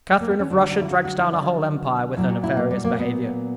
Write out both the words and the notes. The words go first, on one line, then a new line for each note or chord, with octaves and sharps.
Catharine of Russia drags down a whole empire with her nefarious behavior.
G3
A#3
B3
C#4
D2 D3 F#3 D4
D4
D4
E4
F#4
F#4
E4
D4
A#2 F#3 E4
F#4
E4
A#3
G3
A#3
B3